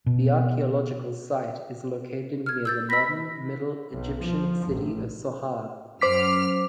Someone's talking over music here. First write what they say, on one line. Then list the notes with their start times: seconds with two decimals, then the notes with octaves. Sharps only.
The archaeological site is located near the modern Middle Egyptian city of Sohag.
0.06 B2
2.46 F6 G#6
2.65 E6 G6 A6
2.90 B5 E6 A#6
3.92 B1
4.23 F3
4.68 A1
6.01 F#2 C5 D6 F6 B6